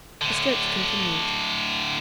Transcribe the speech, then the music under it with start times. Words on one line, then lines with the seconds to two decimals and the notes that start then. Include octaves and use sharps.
The strokes continued.
0.21 A2 D3